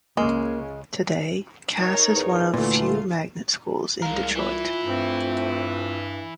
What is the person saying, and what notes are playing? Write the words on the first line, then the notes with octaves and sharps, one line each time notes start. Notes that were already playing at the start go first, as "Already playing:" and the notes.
Today, Cass is one of few magnet schools in Detroit.
C#2 C#3 G#3 A#3
D#4 A#4 C#5
E2
D2 A#2 E3 A3 F4
C2 G#3 A#4 F5
E3 E4 F4
G2 A3 C4